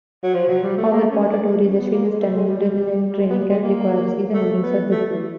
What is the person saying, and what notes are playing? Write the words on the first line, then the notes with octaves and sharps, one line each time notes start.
However, Porter tore his Achilles tendon in training camp, requiring season-ending surgery.
F#3
F3
F#3
G3
A3
A#3
C#4
D4
C#4
B3
A#3
G#3
A3
G#3
G3
G3
G#3
B3
A#3
G#3
A#3
A3
B3
A3
E3